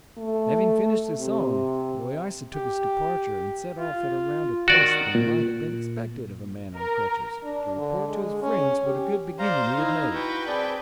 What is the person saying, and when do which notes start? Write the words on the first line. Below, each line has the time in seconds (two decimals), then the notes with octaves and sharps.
Having finished his song, Loaysa took his departure, and set off at a rounder pace than might have been expected of a man on crutches, to report to his friends what a good beginning he had made.
0.18 A3
1.20 C3
2.55 G4
3.80 F4
4.68 D#3 F#4 D5
5.15 A#2
6.77 A#4
7.44 D4
7.77 D3
8.09 G#3
8.42 C#4
8.85 G4
9.39 C5 D5 F5 A#5
9.78 D#4 E4
10.14 F#4 B4 F#5 G5
10.47 C4 G#4 D5 A5